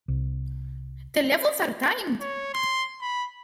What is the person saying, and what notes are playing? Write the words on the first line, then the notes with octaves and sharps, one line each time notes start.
The levels are timed.
C2
C#5
C6
B5